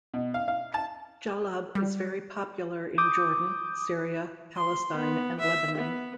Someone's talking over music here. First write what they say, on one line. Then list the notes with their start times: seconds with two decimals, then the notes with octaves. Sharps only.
Jallab is very popular in Jordan, Syria, Palestine and Lebanon.
0.14 B2
0.34 F5
0.48 F5
0.74 A5
1.75 G3
2.98 D6 D#6 G6
4.56 C6
4.96 B3
5.40 E5
5.77 B3